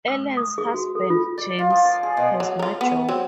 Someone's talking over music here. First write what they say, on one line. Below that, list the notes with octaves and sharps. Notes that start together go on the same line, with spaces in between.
Ellen's husband, James, has no job.
E6
D#6
G#4
F#4
A4
F4
D5
F4
F3
D6
G#4
B2
F#3
F4 A#4
B3 G#4
F#3 C4